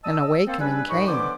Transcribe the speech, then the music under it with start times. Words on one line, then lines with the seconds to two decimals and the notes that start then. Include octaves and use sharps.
An awakening came.
0.04 D5 D#5 A5 D#6 E6
0.47 A#3 C4 A4 C5
0.60 G3 D4 B4 G#5
0.89 D#2 A2 D#4 D#5 B5 C#6
1.07 D3 E3 F#3 B3 C5 D6